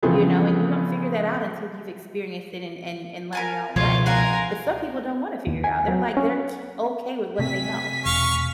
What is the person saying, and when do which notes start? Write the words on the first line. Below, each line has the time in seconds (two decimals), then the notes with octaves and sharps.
you know? And you don't figure that out until you've experienced it and and and learn your own way. But some people don't wanna figure it out. They're, like, they're k okay with what they know,
0.03 C#3 E3 F3 A3 B3 C4
3.33 A#4 G#5 A5
3.76 C#2 B2 F3 F4 C#5
4.06 A#4 F5 F#5 G#5 C6
5.47 D#2
5.64 G#5
5.88 F#3
6.17 C#4
7.39 C3 A3 C4 G#5 B6
8.06 E1 F5 C#6